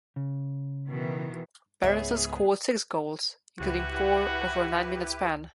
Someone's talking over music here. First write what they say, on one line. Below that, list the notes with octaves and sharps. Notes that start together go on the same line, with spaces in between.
Berenson scored six goals, including four over a nine-minute span.
C#3
B2 D#3 E3
C#2 G#2 B3 G#4 C#5 E5
C#2 E4 F#4 G4 B4 F#5